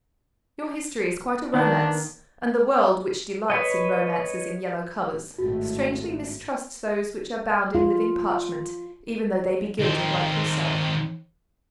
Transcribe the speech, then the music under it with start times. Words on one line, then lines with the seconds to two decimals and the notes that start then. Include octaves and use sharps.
Your history is quite a romance, and the world, which delights in romances in yellow covers, strangely mistrusts those which are bound in living parchment, even though they be gilded like yourself.
1.54 D#3 A#3 B3 D4
3.50 B4 C#5 D#5
5.38 G#1 A2 A3 F#4
7.75 F4
9.80 D#3 C4